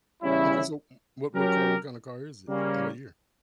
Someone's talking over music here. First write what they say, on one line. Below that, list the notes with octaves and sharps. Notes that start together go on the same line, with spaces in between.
Okay, so, m what what car what kinda car is it? What year?
E2 C#3 G3 C#4 E4
F#3 C#4 G4 A#4
C#3 G3 A#3 C#4